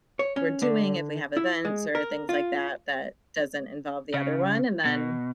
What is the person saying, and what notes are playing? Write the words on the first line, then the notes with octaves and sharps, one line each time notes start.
we're doing if we have events or things like that that doesn't involve the other one, and then
C#5
C#4
D3
E4
G#3
A#4
F4
C#3
B2